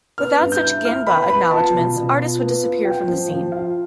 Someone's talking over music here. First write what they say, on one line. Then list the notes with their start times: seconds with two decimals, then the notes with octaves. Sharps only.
Without such "genba" acknowledgments, artists would disappear from the scene.
0.18 B3 F6
0.40 G2
0.52 G6
0.63 E4
0.85 E4 F6
1.07 B3 B5
1.29 B3 B5
1.51 F4 A5
1.74 B2
1.96 B2
2.18 F4
2.40 B3
2.63 F4
2.85 F4 G5
3.08 F3
3.30 F3
3.52 F4 F5